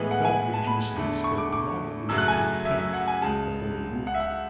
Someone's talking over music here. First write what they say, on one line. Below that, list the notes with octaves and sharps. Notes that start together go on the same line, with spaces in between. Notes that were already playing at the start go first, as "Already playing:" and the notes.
That reduces the scope of my argument to a tenth of what it would be.
Already playing: A2 E3 G#3 B3
F#5
G#5
A5
B5
E2 D3 A3
C#6
D6
D6
F#2 C#3 F#3 A3 E6
F#6
G#5
E5
E5
F#5
G#5
C#2 C#3 G#3 A5
F#5
E5
F#5